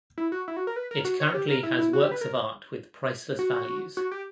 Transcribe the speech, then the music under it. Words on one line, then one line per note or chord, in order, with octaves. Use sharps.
It currently has works of art with priceless values.
E4
F#4
E4
F#4
A#4
B4
A#4
F#4
C#5
G4
A#4
E4
E4
F#4
G4
B4
A#4
F#4
F#4
G4